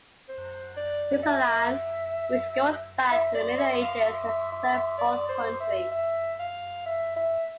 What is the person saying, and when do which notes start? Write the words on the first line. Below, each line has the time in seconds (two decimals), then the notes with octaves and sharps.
This alliance, which goes back to the Middle Ages, has served both countries.
0.29 C5
0.77 D5
1.23 E5
3.11 E5
3.35 D5
3.58 E5
3.82 F5
4.05 E5
4.28 E5
4.52 E5
4.74 E5
4.98 D5
5.29 C5
5.60 E5
5.91 E5
6.39 F5
6.86 E5
7.16 E5